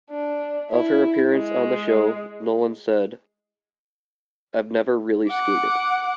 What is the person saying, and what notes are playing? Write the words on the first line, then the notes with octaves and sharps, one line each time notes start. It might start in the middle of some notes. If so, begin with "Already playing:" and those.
Of her appearance on the show Nolan said, I've never really skated.
D4
E4
G#3
F#5 D6